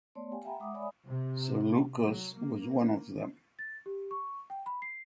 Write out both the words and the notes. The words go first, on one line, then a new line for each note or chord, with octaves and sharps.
Sir Lucas was one of them.
A3 B3 C#5 D5 A5 C6
G4 F5 G5 G#5
E5 F#5 G5 A#5 B5
G#3 E5 F#5 D6 D#6
C#5 D5 E5 G#5 B5 D#6
C3
F#3
A#3
A6
G4
C#6
G5
B5
C7